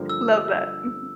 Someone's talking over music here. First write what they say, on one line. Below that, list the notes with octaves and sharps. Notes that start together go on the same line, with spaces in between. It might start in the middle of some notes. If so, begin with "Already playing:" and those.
Love that. Mhm.
Already playing: G2 D3 F3 A#3
E6